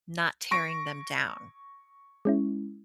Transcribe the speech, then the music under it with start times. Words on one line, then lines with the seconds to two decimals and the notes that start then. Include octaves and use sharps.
not tearing them down.
0.51 C#6 A#6 D7
2.25 G#3 C#4 E4